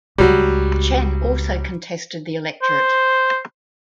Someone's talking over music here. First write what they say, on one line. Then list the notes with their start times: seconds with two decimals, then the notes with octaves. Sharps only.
Chen also contested the electorate.
0.18 C#2 F#3 G3
2.62 C5